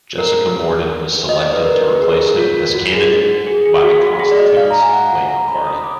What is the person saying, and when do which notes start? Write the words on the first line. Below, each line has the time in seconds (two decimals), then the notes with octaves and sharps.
Jessica Morden was selected to replace him as candidate by the Constituency Labour Party.
0.18 A#4
1.29 D#5
1.41 D5
1.53 B4
1.64 A#4
1.82 B4
1.95 G#4
2.02 A#4
2.19 G#4
2.37 F4
2.57 F4
2.74 F#4
2.92 G#4
3.11 F#4
3.47 G#4
3.66 G#4
3.83 F#4
4.01 F#4
4.19 G#4
4.31 D5
4.38 D#5
4.57 F5
4.71 A#5
4.82 G#5
4.93 F#5
5.29 A#5
5.48 B5
5.66 D#6
5.84 D6